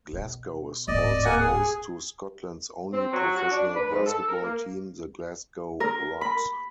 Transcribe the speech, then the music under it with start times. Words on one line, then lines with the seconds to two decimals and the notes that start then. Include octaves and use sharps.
Glasgow is also host to Scotland's only professional basketball team, the Glasgow Rocks.
0.13 B2
0.88 D1 G#1 D5 D#5
1.25 A#3 F#5 G#5
1.40 G#4
2.93 C4
3.13 F#3
3.37 F#4
3.52 D4
3.75 B4
3.91 G#2
4.06 A4
4.28 A#4
4.43 A#3
5.80 A#4
6.21 B5